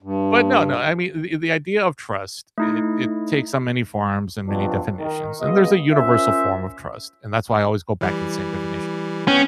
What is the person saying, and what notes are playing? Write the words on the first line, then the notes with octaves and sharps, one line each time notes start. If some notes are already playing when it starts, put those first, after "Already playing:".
but no, no, I mean, the the idea of trust, it it takes on many forms and many definitions, and there's a universal form of trust, and that's why I always go back to the same definition.
G2
A3 D#4 E4
G2 B2 F3 F#3 C4 D4
D#3
C#2 B2 G#3 F4 D#5
C#4 F4 A#4 C5 E5
E3 G3
B3 C#4 G5